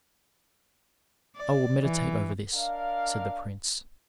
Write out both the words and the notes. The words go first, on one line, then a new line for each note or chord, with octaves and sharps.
"I will meditate over this," said the prince.
D5
E3
D4 A#4 D5 D#5 F5